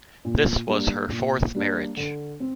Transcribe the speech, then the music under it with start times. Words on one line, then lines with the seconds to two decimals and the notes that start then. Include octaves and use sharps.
This was her fourth marriage.
0.25 A#2
0.68 G3 A#3 D4
1.11 A#2
1.55 G3 A#3 D4
1.97 D3
2.40 C4